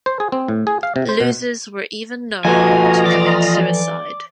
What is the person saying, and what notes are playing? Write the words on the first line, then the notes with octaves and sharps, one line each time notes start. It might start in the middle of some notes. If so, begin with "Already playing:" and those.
Losers were even known to commit suicide.
C5
G#4
C4
A2
G#4
F5
C3
C5
B2
F3 F4 F#4 A4 B4 D#5 G#5 A#5
E3 D5